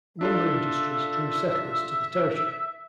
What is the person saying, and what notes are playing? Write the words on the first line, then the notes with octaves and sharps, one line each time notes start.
Lumber industries drew settlers to the territory.
D4 F4 A4 E5